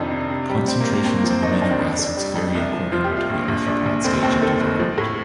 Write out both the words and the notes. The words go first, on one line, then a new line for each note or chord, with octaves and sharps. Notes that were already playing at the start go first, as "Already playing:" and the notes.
Concentrations of amino acids vary according to the arthropod stage of development.
Already playing: F2 C3 D#3 D4 D#4 F4
C3
C3
G3
G3 C4
A#3
C3
A#3
D#2 C4
A#3
F3
C4
D#2 D#4
D4
D#2 D#4
C4
F2
D4
F2
D4
G3
F2
C2
F3
F3 F4
G4
C2
F4
A#1
A#1
A#1 D4
A#1
F1 C4
D#2 C4
D#3 A4
F1
F3
A2